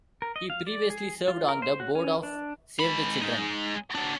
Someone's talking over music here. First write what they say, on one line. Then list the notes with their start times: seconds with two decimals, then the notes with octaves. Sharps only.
He previously served on the board of Save the Children.
0.22 A#4
0.36 D#5
0.50 F5
0.67 D5
0.90 G#4
1.28 F4
1.49 A#4
1.62 C5
1.80 F#4
1.95 C#4
2.23 D4
2.79 G#3 B5
3.22 G#3 D#4
3.95 F#3 D4